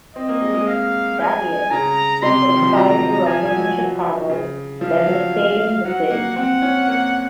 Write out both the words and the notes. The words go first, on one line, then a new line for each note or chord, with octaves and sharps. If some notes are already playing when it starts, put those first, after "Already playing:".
That year, the Great Fire erupted in Chicago, devastating the city.
C4 D#5
A#3
G#3
G#3
F5
G#5
C#3 A#5
C3 C6
F3
D#3
F3
F#3 A#5
F3 G#5
F3
F#3
F#3
C#3
F3 F5
F#3
F#3 F#5
A#3
C4 F#5
C#4
A#3